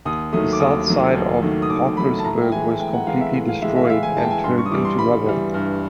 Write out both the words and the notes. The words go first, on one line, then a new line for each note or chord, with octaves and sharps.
The south side of Parkersburg was completely destroyed and turned into rubble.
D#2 D#6
D#3 F#3 A3 D#6
D6
D#2 D#6
D#3 F#3 A3
D#2
D#3 F#3 A3
D#6
D#2 D6
D#3 F#3 A3 B5
A5
A2 A#5
G5
E3 G#3 G#5
A2 G5
F#5
E3 G#3 F5
E5
A2
F5
E3 G#3 E5
E5
F5
A2 E5
G#5
E3 G#3 A5
G5
G#5
G2 C6
C#6
D#6
E3 G3 D6
C6
G2 B5
E3 G3
G2